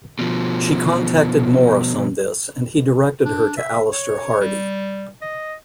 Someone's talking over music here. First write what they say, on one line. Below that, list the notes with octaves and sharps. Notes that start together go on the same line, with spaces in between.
She contacted Morris on this and he directed her to Alister Hardy.
B2 F3
D4
E5
C#5
G3
D#5